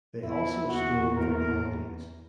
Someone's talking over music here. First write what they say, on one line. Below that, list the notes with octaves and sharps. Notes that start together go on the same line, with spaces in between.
They also stole their belongings.
E2 E3 E4
E2 E3 F#4
A#4